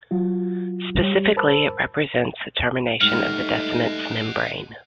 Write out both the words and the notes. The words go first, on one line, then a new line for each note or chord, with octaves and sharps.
Specifically, it represents the termination of Descemet's membrane.
F#3 F4 F#4
G3 G4 C#5
A#4 C5 A5 B5 E6
G#2 G3 A3 D#4 D#5 F#5 F6